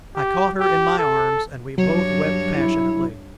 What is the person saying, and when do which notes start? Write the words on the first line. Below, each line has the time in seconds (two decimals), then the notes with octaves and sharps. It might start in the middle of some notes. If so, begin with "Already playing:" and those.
I caught her in my arms, and we both wept passionately.
0.16 G4
0.60 G4
0.99 A4
1.78 G2 F#3 C#5
2.55 E4